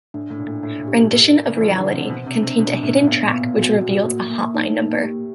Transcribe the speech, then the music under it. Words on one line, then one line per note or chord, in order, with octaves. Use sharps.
"Rendition of Reality" contained a hidden track which revealed a hotline number.
A2 D4
A2
A#2 D4
A2
A2 D4
A#2
G4
B2
A2 A#4
D5
C#3
E3
F3 D5
D3
F#5
C3
B2 C5
C3
D4
C3
B2 D4
C3
A2 D4
A#2
A2 B3
A#2
B2 B3
A#2
A#2 F#4
C3
F#4
C3
A2 A#3
A#3
D#4
A#3
G4